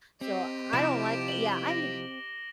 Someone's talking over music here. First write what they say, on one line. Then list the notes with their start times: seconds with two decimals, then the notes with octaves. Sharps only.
So I don't like tha yeah, I
0.21 C4 G4 D#5
0.73 C3 F3 E4 D6 D7 E7
1.28 F#7 G7
1.70 A#6